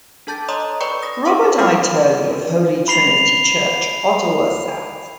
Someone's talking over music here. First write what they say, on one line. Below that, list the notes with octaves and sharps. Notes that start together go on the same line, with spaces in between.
Robert I. Turley, of Holy Trinity Church, Ottawa South.
D4 A4 A5 G6 A6
C#5 D#5 A#5 C6 D#6
B4 D5 G5 B5 C#6 C#7
D#6 A#6
C5 F#5 C#6 D6
B3 C#4 E4 F4 D#6 F6
B5 C7 F7